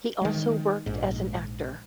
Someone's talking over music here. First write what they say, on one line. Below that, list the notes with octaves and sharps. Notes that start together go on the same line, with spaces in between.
He also worked as an actor.
D#3 G#3
A#1 G#2